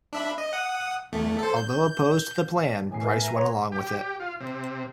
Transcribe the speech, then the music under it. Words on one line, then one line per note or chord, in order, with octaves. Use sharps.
Although opposed to the plan, Price went along with it.
D4 E5 B5
D#5
F#5 D#6
E2 A3
A4 C5
G6
E1 A2 G#5 C7
A#4 B4 E5 G#5
A#5
B4 C#5 A#5 C6
G4
F4
C3